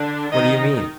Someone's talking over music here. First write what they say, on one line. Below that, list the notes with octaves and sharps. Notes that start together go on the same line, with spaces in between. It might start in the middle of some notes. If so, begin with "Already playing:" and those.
"What do you mean?"
Already playing: D3 D4
D#3 D#4 D#5